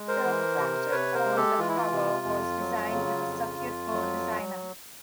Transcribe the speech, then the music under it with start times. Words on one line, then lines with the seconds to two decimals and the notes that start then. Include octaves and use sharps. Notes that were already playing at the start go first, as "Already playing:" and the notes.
The fractal on the cover was designed with a circuit board designer.
Already playing: G#3
0.08 A#4 C5
0.25 E3
0.58 C3
0.91 C3 B4 C#5
1.14 A#4 C5
1.26 G#3
1.36 G4 A4
1.59 E3 F4
1.69 E4
1.77 F4
1.92 C3
2.26 F2
2.60 F#3
2.92 C#3
3.26 F2
3.60 F2
3.93 F#3